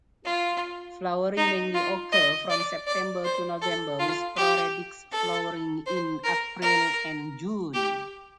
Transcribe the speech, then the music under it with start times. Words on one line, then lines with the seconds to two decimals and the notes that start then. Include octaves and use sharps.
Flowering mainly occurs from September to November with sporadic flowering in April and June.
0.25 F4
1.37 D#4
1.74 F4
2.12 D#5
2.50 D5
2.87 D5
3.25 C5
3.62 A4
3.99 F4
4.36 G4
5.12 A4
5.86 C5
6.24 A#4
6.62 A#4
7.74 G4